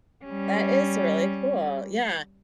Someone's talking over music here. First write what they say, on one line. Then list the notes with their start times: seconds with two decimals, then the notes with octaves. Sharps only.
That is really cool, yeah.
0.24 G3 C#4